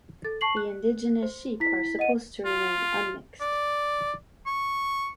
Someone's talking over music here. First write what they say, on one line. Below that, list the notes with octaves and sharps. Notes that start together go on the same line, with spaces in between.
The indigenous sheep are supposed to remain unmixed.
A4 A6
A5 C#6 C7 F#7
F#6
C5
E4 B6
D#5 F#5 D#7
F4
D5
C#6